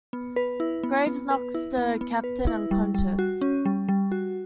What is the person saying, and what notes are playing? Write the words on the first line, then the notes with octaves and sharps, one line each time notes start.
Graves knocks the captain unconscious.
B3
B4
E4
B3
B3
B4
E4
B3
B3
B4
E4
G3
G3
F#4
C#4
G3
G3
F#4